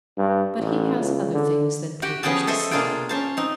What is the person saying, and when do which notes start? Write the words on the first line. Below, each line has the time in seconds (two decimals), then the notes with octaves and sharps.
But he has other things than papers to sell.
0.18 G2
0.59 A1
1.00 C#2
1.34 D3
2.02 F#4 G4 G5
2.23 F3 B3 C#4 G#4 G5 A5
2.47 A4 C5 D#5 E5
2.71 B2 A#3 D4 F4 G#4 G5
3.09 C#4 C5 A5
3.37 C4 D#4